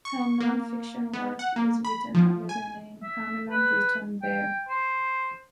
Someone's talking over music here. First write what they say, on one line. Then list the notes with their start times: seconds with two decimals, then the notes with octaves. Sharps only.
Her non-fiction work is written under the name Pamela Britton-Baer.
0.05 C#6
0.40 A#3
1.13 B3
1.39 F#5
1.56 A#3
1.85 B5
2.15 F3
2.49 G#5
3.03 E5
3.51 B4
4.23 G5
4.69 C5